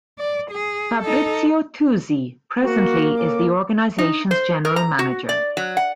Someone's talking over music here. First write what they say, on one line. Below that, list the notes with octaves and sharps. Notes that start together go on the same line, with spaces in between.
Fabrizio Tuzi presently is the organisation's general manager.
D5
G#4
D#4 A4
A#3 F#4
C#4 A4 D6
D#4
C5
A#4
A#5
F#4
D5
F#3
F#5